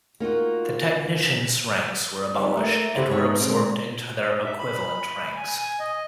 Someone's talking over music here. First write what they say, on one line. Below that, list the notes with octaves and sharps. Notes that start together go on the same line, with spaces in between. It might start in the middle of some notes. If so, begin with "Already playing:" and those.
The Technician's ranks were abolished and were absorbed into their equivalent ranks.
A#3 D#4 F4 F#4
D3 F3 G3 C4 D4 D#4
A3 A#3
E4 F#4 G4 A4 C5
G#2 C#5 E5
D3 G#3 C4
E5
B5
G#5
G#5
D#5